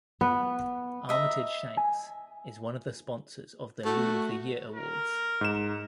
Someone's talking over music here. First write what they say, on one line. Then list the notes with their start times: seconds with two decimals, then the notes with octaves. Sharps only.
Armitage Shanks is one of the sponsors of the Loo of the Year Awards.
0.21 B3
1.09 D#5 E5 A#5
1.77 G#5
3.85 A3 F#4
4.75 A#4
5.41 G#2 E7